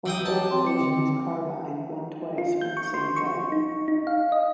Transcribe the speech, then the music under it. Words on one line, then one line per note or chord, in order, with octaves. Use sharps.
On four occasions Carbine won twice on the same day.
E3 G5 D#6
G4 D#5 A5
C4 G5 C6
D6 C#7
D3 D#3
F4
G6
C#6
C6
C#6
D#4
D#4
F5
D#5